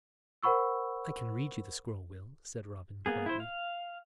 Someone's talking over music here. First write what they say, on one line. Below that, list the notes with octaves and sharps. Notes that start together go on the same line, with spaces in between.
"I can read you the scroll, Will," said Robin, quietly.
A#4 C5 F#5 B5 C#6 E6
A#3 B3 G#4
E4 C5
F5